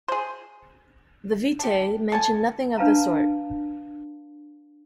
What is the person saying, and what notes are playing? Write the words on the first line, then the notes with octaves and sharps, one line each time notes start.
The "vitae" mention nothing of the sort.
G#4 C5
D4 G4
A4 G#5 A5
D4 B4 F5 A5 A#5